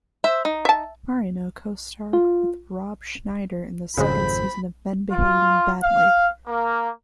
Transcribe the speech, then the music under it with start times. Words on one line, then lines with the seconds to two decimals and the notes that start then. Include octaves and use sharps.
Marino co-starred with Rob Schneider in the second season of "Men Behaving Badly".
0.24 C5 E5
0.45 D#4
0.65 E5 A5
2.13 F4
3.98 G#1 F2 C#3 G#3 C5 B5
5.12 F4
5.82 F5
6.47 A#3